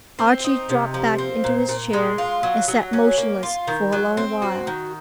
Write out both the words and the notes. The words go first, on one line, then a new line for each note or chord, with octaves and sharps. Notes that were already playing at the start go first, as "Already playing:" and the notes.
Archie dropped back into his chair and sat motionless for a long while.
C4
D#4
C3
F3
C4
A#2
A#2
G#3
F4
F#3
F#3
C#4
A#3
F4
D#3
F#3
C4
F#4
D#3